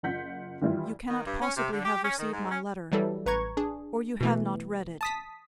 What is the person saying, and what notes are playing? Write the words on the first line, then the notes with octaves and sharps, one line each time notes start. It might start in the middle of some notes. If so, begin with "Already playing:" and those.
"You cannot possibly have received my letter, or you have not read it?"
F#1 F4 F#5 G6 B6
D#3 E3 G3 E4 F4
D#3
G2
C#4
C3
D3
G4
C#4
D#3
G#2
C#4
E3 F#3 G3 E4 A4
A1 B4 A#5 C#6 G#6
D4 G#4
B2 E3 A3
A5 D#6 B6